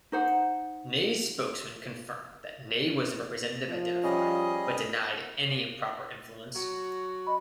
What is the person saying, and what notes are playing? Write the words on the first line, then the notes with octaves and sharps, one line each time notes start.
Ney's spokesman confirmed that Ney was the representative identified, but denied any improper influence.
D#4 C5 F#5
F3
G3 C#4 G#4 D#5
F#3 F#4
D#5 B5